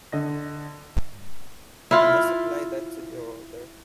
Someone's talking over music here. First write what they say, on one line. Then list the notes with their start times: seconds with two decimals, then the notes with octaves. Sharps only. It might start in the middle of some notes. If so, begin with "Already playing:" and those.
I'll just apply that to your order.
0.12 D3 D#5 A#6
1.91 E4 F4